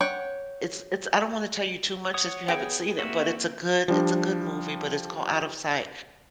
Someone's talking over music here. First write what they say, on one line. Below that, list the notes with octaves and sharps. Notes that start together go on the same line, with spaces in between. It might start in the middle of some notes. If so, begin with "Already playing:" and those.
it's it's I don't wanna tell you too much since you haven't seen it, but it's a good it's a good movie, but it's called Out of Sight.
C#5 F#5 G5
C#5 F#5 D#6
B3 G#4 G5
A#3 C4 F#4 E5
F3 G3 D4